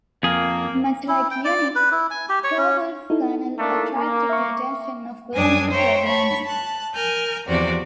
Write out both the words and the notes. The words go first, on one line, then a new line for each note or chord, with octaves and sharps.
Much like Unix, Torvalds' kernel attracted the attention of volunteer programmers.
F2 A#3 G#4
E4
G5
D5
B4
E4
G#5
G4
C#5
C#4
D#4 E4 A4
A3 A#3 D4
A#3
E5 C#6
F#2 G3 D4 G#5 D#6 G#6
C5 C#5 E5 G5 A#5
C#5 A5 B5 C#6
A5 F#6
A#4 G#5 F6 G6
E2 C3 F3 F#4 D5